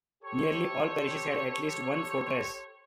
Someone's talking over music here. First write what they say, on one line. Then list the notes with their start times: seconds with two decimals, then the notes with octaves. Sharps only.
Nearly all parishes had at least one fortress.
0.23 G4 A4 C5 C#5